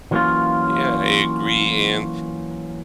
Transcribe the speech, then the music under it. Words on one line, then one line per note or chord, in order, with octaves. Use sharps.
Yeah, I agree, and
E3 F#3 A#3 B3 C#4 F4